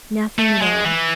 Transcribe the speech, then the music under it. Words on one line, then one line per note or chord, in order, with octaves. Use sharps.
Nothing at all.
A3
G#3
E3